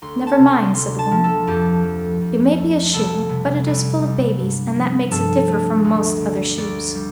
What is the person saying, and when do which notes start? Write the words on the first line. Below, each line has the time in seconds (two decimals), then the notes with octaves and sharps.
"Never mind," said the woman; "it may be a shoe, but it is full of babies, and that makes it differ from most other shoes."
0.02 D2 C6
0.27 A5
0.38 C3
0.50 C6
0.74 D2 C6
0.99 A5
1.11 F3
1.24 A4
1.47 F2 G4
1.83 F3
2.21 F2
2.57 A3
2.93 C2 A4
3.29 C3
3.66 C2
4.02 G3
4.40 G2
4.76 F3
5.11 G2 A4
5.49 A3
5.84 D2
6.21 D3
6.58 D2 D5
6.95 G3